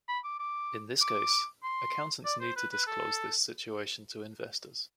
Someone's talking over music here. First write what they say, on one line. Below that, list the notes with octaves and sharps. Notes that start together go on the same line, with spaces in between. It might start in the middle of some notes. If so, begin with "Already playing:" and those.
In this case, accountants need to disclose this situation to investors.
B5
D6
D6
D6
C6
D5
C5
B4
B4
A4